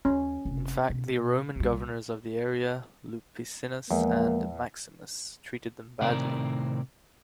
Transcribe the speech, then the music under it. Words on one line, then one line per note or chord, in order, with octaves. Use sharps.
In fact, the Roman governors of the area, Lupicinus and Maximus, treated them badly.
D#2 C#4
F1
B2
C2 G3
E2 F3 G#3 A#3
A2 C3 D#3 C4 A#4 D5